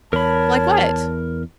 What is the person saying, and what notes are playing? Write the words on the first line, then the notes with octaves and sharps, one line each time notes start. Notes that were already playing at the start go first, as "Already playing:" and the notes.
"Like what?"
E2 A#4 C#5 A5 B5